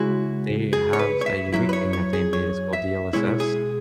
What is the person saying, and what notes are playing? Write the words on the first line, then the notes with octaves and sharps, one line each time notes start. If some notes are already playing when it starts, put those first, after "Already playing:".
they have a unique thing that they made, it's called DLSS,
Already playing: C#3 G#3 E4 F#4
G#4
C#5
B4
C#5
E5
F#2 F#3 E4 E5
B4
C#5
C#5
G#4
C#5
E5
B2 G#3 E4 C#5
G#4